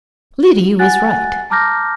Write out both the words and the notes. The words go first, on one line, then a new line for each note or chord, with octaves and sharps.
Liddy was right.
F#5 G#5 F#6 A6
A5 A#5 D6 F6 G6 A#6